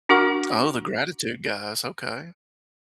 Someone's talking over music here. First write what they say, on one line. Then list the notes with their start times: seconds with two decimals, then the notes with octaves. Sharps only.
Oh, the gratitude guys. Okay.
0.09 D4 F#4 A#4 F#5 C#6 D6